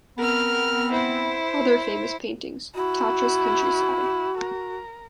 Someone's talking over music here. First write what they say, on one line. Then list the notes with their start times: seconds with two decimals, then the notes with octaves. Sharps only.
Other famous paintings: Tatras countryside.
0.18 B3 C4 A#4 F6
0.91 E4 C5
2.75 E4 F#4
4.38 A#4